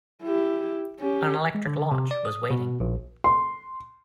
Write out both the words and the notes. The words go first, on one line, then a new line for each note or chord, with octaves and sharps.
An electric launch was waiting.
E4 G4
C#4 G4
G#3
D3
C3
D5
D#6
B2
A#1
C6